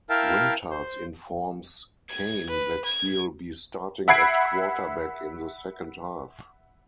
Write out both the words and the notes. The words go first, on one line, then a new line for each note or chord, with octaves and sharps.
Winters informs Kane that he'll be starting at quarterback in the second half.
E4 A#4 E5 F5 G5 A5
C5
G#6
B4
G#6
E5 F#5 B5 G#6 C7 D7